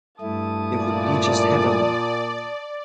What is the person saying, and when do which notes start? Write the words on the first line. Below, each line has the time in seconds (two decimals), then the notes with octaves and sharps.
It would be just heavenly!
0.21 G2 A3 E4 A5 D#6
0.74 A#2 D5